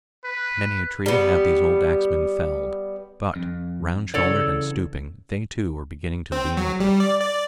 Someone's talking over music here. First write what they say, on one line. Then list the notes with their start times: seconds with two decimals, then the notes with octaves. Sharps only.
Many a tree have these old axemen felled, but, round-shouldered and stooping, they too are beginning to lean over.
0.25 B4
1.06 G3 B3
3.36 F2
4.14 C#3 E3 A4 C#5 D5
6.32 C4
6.57 F#3
6.80 G3
7.00 D5
7.20 D5